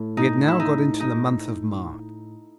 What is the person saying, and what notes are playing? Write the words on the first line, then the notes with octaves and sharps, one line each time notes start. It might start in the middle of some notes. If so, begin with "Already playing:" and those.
We had now got into the month of March.
Already playing: A2
D#4
E4
D#4
D#4